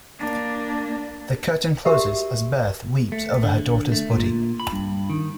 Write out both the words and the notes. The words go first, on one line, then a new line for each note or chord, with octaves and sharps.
The curtain closes as Berthe weeps over her daughter's body.
A#3 D4
F#4 G4 A#4 E5
A3
D3
A3
A#2
B5
G2
D#3